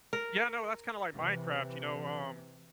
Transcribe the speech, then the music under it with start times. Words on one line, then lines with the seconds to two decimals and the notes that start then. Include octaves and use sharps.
Yeah, no, that's kinda like Minecraft, you know, um
0.13 A#4
1.12 C3 E3